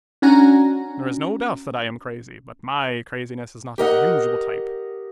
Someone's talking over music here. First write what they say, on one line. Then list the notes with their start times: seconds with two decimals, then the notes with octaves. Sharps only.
There is no doubt that I am crazy, but my craziness is not of the usual type.
0.22 C#4 D4 F#4 F#5 G#5 A#5
3.78 G4 A#4 D#5 F#5